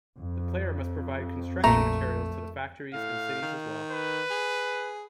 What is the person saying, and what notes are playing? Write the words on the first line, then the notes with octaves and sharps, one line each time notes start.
The player must provide construction materials to the factories and cities as well.
F2
A#1 A#2 A3 A#5
A2 F5
D#3
B4
G#4